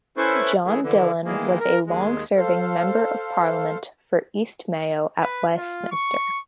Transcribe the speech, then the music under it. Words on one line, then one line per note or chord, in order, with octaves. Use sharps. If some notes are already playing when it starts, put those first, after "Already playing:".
John Dillon was a long-serving Member of Parliament for East Mayo at Westminster.
C#4 E4 A4 B4 C5 C#6
E3 G#3 A3
D3 E3
D#3 E3 G#3 A#3
A#4
D#2 G#3
A4 C5 F5
B4
F4
C#6